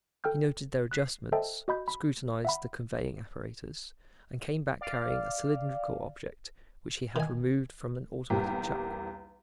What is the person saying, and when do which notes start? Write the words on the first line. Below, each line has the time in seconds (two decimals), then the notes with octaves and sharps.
He noted their adjustments, scrutinized the conveying apparatus, and came back carrying a cylindrical object which he had removed from an automatic chuck.
0.24 A4 G5 F6 G6
0.92 F#6 B6 C7
1.32 A4 C5 D#5 E5 G5 A5
1.68 F#4 D#5 B5 G6
1.88 B5
2.45 E5 F#5 B5
4.81 D5 F5
7.16 D#3 G#5
8.30 B1 E2 G3 A#3 G4